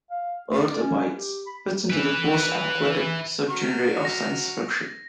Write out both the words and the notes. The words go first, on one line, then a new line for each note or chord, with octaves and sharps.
"Earth Abides" fits into the "post-apocalyptic" subgenre of science fiction.
F5
A3
D5
C#4
G4
B5
E4 B4
F#3 C#6 F6
A#6